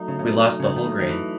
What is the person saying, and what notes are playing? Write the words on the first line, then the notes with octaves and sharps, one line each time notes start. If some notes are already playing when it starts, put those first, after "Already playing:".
We lost the whole grain.
Already playing: F#3 A3 D#4
C#3
C#3
B2
C#3
D#3
D#3
E3